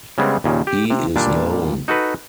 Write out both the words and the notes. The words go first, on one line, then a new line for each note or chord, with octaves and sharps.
He is known.
C#3 G3 G#3 B3 C4
D#2 A#2 C#3
G4
C3
A#2 G3 D4
D#4 F#4 A4 B4